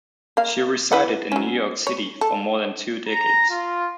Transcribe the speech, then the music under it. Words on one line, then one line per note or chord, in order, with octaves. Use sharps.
She resided in New York City for more than two decades.
A#3 F5
E4 B4 F#5
F#3 C#4
C#5
A4
A#5
F4